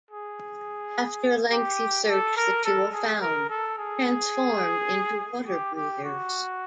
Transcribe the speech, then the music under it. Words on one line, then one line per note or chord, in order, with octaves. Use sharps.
After a lengthy search the two are found, transformed into water breathers.
G#4
G4
A4
A#4
A4
G#4
A#4
A4
G#4
G4
G4
F#4